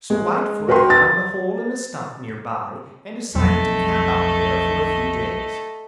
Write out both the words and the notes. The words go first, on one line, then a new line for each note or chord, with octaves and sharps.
So Whitefoot found a hole in a stump near by and decided to camp out there for a few days.
G#3
F#4 A#4 B4 G5 C6
A6
B1 F2 A3 D#5